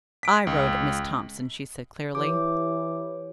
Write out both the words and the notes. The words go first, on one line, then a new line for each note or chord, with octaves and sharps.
"I wrote it, Miss Thompson," she said clearly.
B6 D7
C#2
E3 G4 C#5 D6